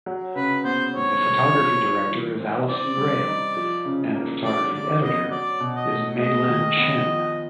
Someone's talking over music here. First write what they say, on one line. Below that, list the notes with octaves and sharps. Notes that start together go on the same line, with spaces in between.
The Photography Director is Alison Graham, and the Photography editor is Menglan Chen.
F#3
C#3 B4
B3 C5
C4 C#5
G3
F4
G3
E3
C4
C4 D5
G3
D#4
F3
C#3
A#3
F#3 D5
D3 D5
B3 D#5
F#3 D5
B2
D#5
A3
G#3 D#5
D#3
B3
F3